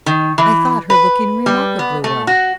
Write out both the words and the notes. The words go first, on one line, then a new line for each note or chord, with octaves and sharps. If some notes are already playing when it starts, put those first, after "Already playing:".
'I thought her looking remarkably well.
D#3
E3
B4
G3
B3
A3
F#4